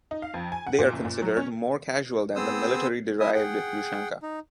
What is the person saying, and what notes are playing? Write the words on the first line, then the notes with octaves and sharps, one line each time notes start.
They are considered more casual than the military-derived ushanka.
D#4
F5
F2
G#5
F#5
A#2
F#1
A#2
F#3
C#4
B3 C4 G#4 C5 D#6 E6
E4 D#5 E5 G#5 D#6
G#4 F#5 G5
D#4